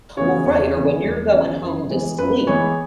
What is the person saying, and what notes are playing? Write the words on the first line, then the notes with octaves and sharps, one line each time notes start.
Well, right, or when you're going home to sleep,
C#3 E3 B3 C#5
E2 C#5
C#3 E3 B3
E2
C#3 E3 B3
F#2
E3 G#3 B3
F#2 B4
E3 G#3 B3 C#5